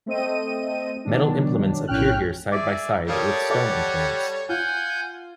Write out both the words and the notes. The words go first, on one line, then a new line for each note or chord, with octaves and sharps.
Metal implements appear here side-by-side with stone implements.
A3 C4 D#5 D#7
B2 D#3 F#3 D4
A#1 A2 C#4 G5 F6 F#6
G#4 D5 E5 D6
G3 A4 A#4 C#5 D5 F5 D#6
A4 D5 F#5
F4 F#5 G#5 G6